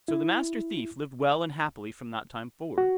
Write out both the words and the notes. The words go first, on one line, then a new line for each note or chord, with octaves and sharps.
So the Master Thief lived well and happily from that time forward.
E4
F#4